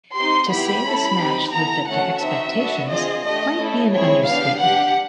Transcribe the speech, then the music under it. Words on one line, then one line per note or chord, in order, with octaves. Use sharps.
To say this match lived up to expectations might be an understatement.
C4 D#4 G4 C6
B3 E4 G4 B5
C#4 E4 A4
C4 D#4 G4
B3 E4 A4 A#5
A3 C#4 F#4 A4 F#5
C4 D#4 F#4 E5
B3 D4 F#4 A4
C4 F4 G#4 D#5
A3 D4 G4 D#5
A3 C#4 E4 A4
C4 E4 G#4 C#5
B3 D4 G4 F5
D4 G4 F#5